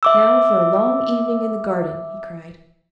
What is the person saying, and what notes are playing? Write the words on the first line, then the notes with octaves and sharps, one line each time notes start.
"Now for a long evening in the garden!" he cried.
E5 D6 E6